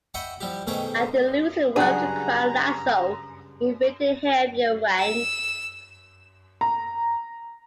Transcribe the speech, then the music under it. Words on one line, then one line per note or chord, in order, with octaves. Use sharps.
After losing the welter crown Latzo invaded the heavier ranks.
D#5 E5 F#5 G5 B5 C#6
F3 G3 E4 G4
B2 D#3 A3 G#4 C5 G5
G2 C#3 F#3 D4 G#4 F#5 A#5
E6
A#5